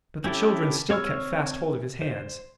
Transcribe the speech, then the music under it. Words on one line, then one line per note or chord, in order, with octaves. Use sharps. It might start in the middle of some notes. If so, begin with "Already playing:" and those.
But the children still kept fast hold of his hands.
C4 C#4 E4 G4 A4
C4 C#5 C#6 E6 F6
C5